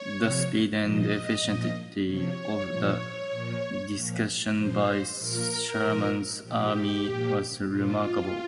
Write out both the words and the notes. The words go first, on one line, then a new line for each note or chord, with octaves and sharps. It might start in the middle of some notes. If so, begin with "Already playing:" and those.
The speed and efficiency of the destruction by Sherman's army was remarkable.
Already playing: C#5
C3 F3
A#2 F3 D#5
A#2 F3
C3 F3 C#5
A#2 F3
A#2 F3
A#2 F3
A#2 F3 C5
A#2 F3 A#4
A#2 F3
A#2 F3 G4
A#2 F3
A#2 F3 F4